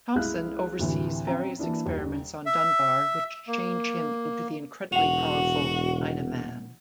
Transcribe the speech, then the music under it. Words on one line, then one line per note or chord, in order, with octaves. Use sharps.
Thompson oversees various experiments on Dunbar which change him into the incredibly powerful Dynaman.
C2 G#3 A3 E4 F5 F#6
D2 A2 C3 E3
C4 C#4 E5 A#5
E3 A#3 D4 E4
D#1 D#2
E5
A#3
E1 F#4 F#5 F7